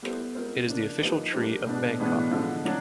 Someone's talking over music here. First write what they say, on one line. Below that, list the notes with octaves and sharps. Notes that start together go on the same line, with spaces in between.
It is the official tree of Bangkok.
G3 B3 E4 A4 C5
G#3 C4 F4 A#4
C#3 F3 A#3 D4
F3 A#3 D#4 G4 B4
G3 A#3 D4 G4 C5
B2 G#3 B3 D4
A2 E3 G#3 B3 D4
D3 F3 G#3
F#3 D4